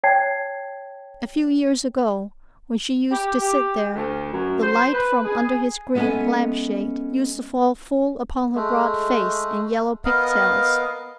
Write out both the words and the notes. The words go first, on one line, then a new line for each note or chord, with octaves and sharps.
A few years ago, when she used to sit there, the light from under his green lampshade used to fall full upon her broad face and yellow pigtails.
C#5 G5 A5 G#6 C7
G4
G4
D2
F#2
C5
B4
G#4
G#3 B3 C#4 A4 E5 G#5
G#3 A3
B3 A#4 D#5 F5